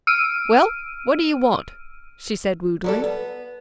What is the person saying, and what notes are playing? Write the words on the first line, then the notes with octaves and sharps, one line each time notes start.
"Well, what do you want?" she said rudely.
E6 F6 D7 D#7
F#3 G3 A4
B3